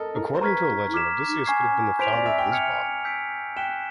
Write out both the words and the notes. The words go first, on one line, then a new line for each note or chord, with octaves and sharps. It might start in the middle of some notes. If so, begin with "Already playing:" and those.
According to a legend, Odysseus could have been the founder of Lisbon.
Already playing: A4 A#4 D#5
A#4
C5
B4 A#5 C#6 F6 G#6 B6
D6 F6 G#6 B6 E7
G#5 C#6 F6 G#6 C7
C5 G6 B6 D7 F7
D5
E5
G5
F6 G#6 C#7 F7
E6 G6 B6 D7
G5 F#6 B6 E7 G7